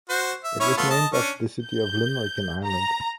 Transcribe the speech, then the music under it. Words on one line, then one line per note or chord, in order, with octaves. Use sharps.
It was named after the city of Limerick in Ireland.
F#4 C5
E5
C#4 E4 C#5
A3 B3 F4
D#5 A5
C#4 D4
G6
A#5